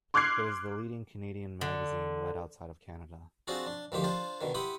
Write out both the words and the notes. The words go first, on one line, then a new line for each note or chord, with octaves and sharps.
It was the leading Canadian magazine read outside of Canada.
C6 D6 F6 F#6 G#6 C7
D3
C4 D4 F4 F#4 G#4
D4
D2 D#3 F3 A#3 G4 C6
D4 F4 C5
B2 D3 D#3
E4 G4 F#5 C6 D#6